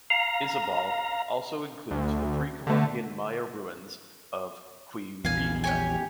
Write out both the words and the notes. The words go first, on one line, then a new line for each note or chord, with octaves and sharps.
Izabal also includes the Pre-Columbian Maya ruins of Quirigua.
F5 A#5
D2
D3 A3
A#1 E2 F5 G#5
G4 C#5 G#5